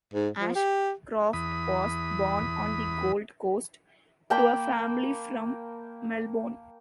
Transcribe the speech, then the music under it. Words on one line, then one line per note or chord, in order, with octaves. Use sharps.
Ashcroft was born on the Gold Coast to a family from Melbourne.
G#2
F3
G4
E2 B5 D#6
A#3 G5 A5 B5